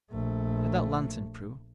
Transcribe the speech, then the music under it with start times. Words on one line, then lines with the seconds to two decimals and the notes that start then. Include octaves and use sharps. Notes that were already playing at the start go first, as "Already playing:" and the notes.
Get that lantern, Prue.
0.11 A#1 A3